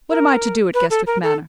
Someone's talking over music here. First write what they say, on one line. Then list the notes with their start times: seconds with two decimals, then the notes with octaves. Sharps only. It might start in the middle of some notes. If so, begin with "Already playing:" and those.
What am I to do at Guestwick Manor?
0.10 A#4
0.74 B4
0.90 A4
1.06 A#4
1.23 A4